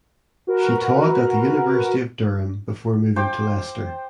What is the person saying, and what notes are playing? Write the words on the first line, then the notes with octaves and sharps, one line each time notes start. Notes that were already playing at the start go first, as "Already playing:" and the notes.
She taught at the University of Durham before moving to Leicester.
F#4 A#4 B4
C5 G5 D6